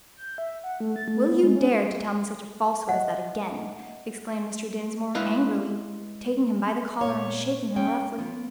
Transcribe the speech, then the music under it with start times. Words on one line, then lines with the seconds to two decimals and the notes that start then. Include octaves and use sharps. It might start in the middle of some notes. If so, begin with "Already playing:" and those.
"Will you dare to tell me such a falsehood as that again?" exclaimed Mr. Dinsmore, angrily, taking him by the collar and shaking him roughly.
0.17 G6
0.38 E5
0.64 F#5
0.80 A3
0.96 A6
1.08 A3
1.29 B3
1.43 G#3
1.56 C#4
2.89 D#5 E5 F#5
5.15 G#3 E4 B4 E5 F5
7.01 A#2 B3 C#5
7.76 A#3 C#4 G5
8.18 F3 B3